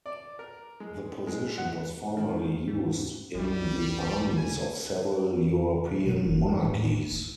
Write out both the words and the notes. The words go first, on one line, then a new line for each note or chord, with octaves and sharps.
The position was formerly used in the armies of several European monarchies.
D5
A#4
G#3
G#3
F#5
D#3
G#2
C2 G3
G#5
B2 G#3
F#1
D4
A2
D#3
E4